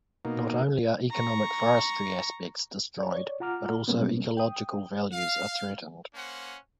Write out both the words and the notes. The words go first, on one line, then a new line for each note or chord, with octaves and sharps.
Not only are economic forestry aspects destroyed, but also ecological values are threatened.
B2 A#3 D#4
A#5 C#6
C#5 D5
F4 F#5 A#5 D6 F6
B2 F#3 G3 A#3 B3 C#4
G5 D#6
F5
A#3 C#4 C5 F#5